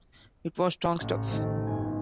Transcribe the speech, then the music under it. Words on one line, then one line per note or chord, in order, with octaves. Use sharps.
It was strong stuff.
A1 C#6
D#3 A3 C4
G1 G#5